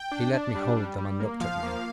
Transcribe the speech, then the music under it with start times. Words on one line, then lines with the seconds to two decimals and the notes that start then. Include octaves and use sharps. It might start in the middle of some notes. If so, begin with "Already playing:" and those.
He let me hold them and looked at me.
Already playing: G5
0.12 D4
0.33 D4
0.55 G3
0.77 G3
0.98 G3
1.20 A#3
1.41 F3 F5
1.63 A#3